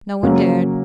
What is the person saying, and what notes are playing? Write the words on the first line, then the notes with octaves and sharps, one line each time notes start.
No one dared.
C#3 F#3 A#3 C#4 F#4